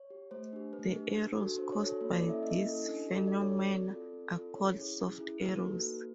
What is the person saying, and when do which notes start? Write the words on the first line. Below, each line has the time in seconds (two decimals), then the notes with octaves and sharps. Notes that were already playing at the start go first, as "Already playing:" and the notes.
The errors caused by these phenomena are called soft errors.
Already playing: C#5
0.10 G4
0.31 A3 C5
0.53 D4 G4
0.73 A3 B4
0.94 D4 G4
1.15 D4
1.37 F#4 A4
1.58 D4 C5
1.72 C#5
1.80 F#4 A4
2.01 A#3 C#5
2.14 D5
2.21 C#4 E4 A4
2.29 E5
2.43 A#3 D#5
2.64 C#4 E4 A4
2.85 D4
3.07 F#4 A4
3.28 D4 D5
3.42 C#5
3.49 F#4 A4
3.57 D5
3.71 C4
3.92 F4 A4
4.13 C4
4.34 F4 A4
4.55 C#4 C#5
4.76 E4 G#4
4.98 C#4
5.19 E4 G#4
5.41 A#3 B4
5.62 D#4 F#4 A4
5.82 A#3